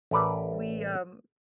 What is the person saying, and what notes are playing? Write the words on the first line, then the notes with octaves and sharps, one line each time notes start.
We, um
A1 A3 A#4 B4 D5 A5